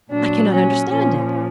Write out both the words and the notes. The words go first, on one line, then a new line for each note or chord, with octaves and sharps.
I cannot understand it.
A#2 F#3 D4
C#4
A#2 F3 C#4